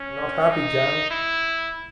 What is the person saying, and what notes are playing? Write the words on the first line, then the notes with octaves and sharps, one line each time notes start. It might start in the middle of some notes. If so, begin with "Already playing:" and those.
Not happy, Jan!
Already playing: C#4
D#4
E4